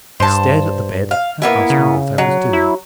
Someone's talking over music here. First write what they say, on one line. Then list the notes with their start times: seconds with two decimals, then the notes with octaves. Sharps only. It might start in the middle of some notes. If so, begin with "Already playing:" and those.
He stared at the bed, and asked me what I was doing.
0.20 G2 C5 A5
1.11 F5
1.42 A#3 B3 E4
1.70 C#3
2.18 F#3
2.53 E4